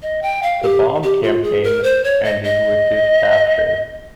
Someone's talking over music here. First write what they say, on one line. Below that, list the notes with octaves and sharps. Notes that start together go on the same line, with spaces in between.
The bomb campaign ended with his capture.
D#5
G5
F5
G4
G4
F4
G#4
A#4
C5
C#5
D#5
D#5